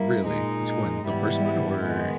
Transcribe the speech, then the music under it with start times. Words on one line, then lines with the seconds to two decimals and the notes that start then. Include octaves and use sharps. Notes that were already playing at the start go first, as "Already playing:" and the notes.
Really? Which one? The first one? Or
Already playing: G3 A#3 E4
0.26 A#2 G#3 D#4
1.05 G#2 E3 G3 B3 E4
1.83 D#3 G#3 B3